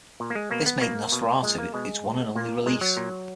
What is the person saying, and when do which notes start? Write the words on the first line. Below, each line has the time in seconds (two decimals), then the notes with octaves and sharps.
This made "Nosferatu" its one and only release.
0.20 A#2
0.30 A#3
0.35 G#3
0.51 B2 A#3
0.66 B3
0.81 B2 A#3
1.12 B2
1.43 A#2 G#3
1.58 A#3
1.74 B2 G#3
2.04 A#2
2.35 A#2 A#3
2.66 A#2 G#3
2.81 F#3
2.97 A#2